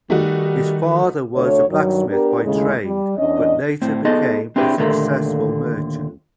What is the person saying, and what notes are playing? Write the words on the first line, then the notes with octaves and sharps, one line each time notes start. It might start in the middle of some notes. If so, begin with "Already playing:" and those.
His father was a blacksmith by trade, but later became a successful merchant.
D#3 G3 A3 D#4 F#4
D2 C#5
G2 D#3 F#3
B3 D4 G4 A#4
D#2 A2 C#3 G#3
G3
E2 C#4 D4 D#5
A2 C4
B3 D#4 G#4 A4 D#5
C4 D4 E4 G4 G#4 B4
D#2 A#2 D3 A3 A#3 A#5